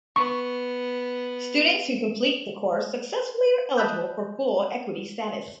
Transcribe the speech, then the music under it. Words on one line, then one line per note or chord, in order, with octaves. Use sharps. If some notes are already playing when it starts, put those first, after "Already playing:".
Students who complete the course successfully are eligible for full Equity status.
B3 C#6
D#5 A5 B5 E6 F#6 G6